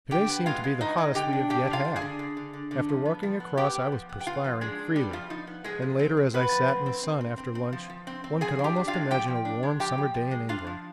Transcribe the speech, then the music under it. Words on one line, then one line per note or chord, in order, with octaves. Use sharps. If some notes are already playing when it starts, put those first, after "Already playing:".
To-day seemed to be the hottest we have yet had; after walking across I was perspiring freely, and later as I sat in the sun after lunch one could almost imagine a warm summer day in England.
D3 G4 G5
B3
G#3 F4 F5
G#3
B3 D#4 D#5
G#3
D3 G4 G5
D4
D4 G4 G5
D3
F4 F5
D4
G#4 G#5
D3
D3
D3
D3
D3
F3
B3
F3
B3
B3 G4 G5
B3
F3
B3
G5
B3 F4 F5
F3
G#3 D4 G#4
D4
G3 B3 G4
F3 B3 F4
F3 D#4
B3
F3 G#3 G#4
F3
C4
C4
B3 C4 B4
F3
C4
C4
C4
C4
C4
C4
F3
F3
C4
C4
F3 G#4 G#5
D4
G4 G5
D4
F4 F5
G#3
F3 G4 G5
F3
D4
G#3
F3 G4 G5
F3
F3
G#3
D4 F4 F5
F3